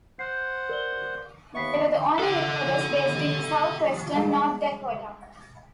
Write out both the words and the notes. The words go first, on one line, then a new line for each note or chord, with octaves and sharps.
They were the only reporters based in southwestern North Dakota.
C5 F#5 F#6 G6 C7
A#4 D5 G7
D#2 B3 E5 C#6 B6 C7
A4 F#5
G3 G#3 G#4